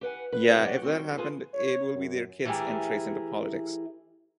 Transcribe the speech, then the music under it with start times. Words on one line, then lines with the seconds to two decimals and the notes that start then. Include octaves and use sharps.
Ya, if that happened it will be their kids entrace into politics.
0.01 G4 B4 F#5 G#5
0.32 B4
0.53 C3 A3 B3 F#4
0.65 G4 C#5 F#5
0.82 G3 C4 F#4
1.17 F4 G#4 A4 B4 C5
1.53 C#5
1.95 F#2
2.45 E3 A3 E4 G4 G#4 A#4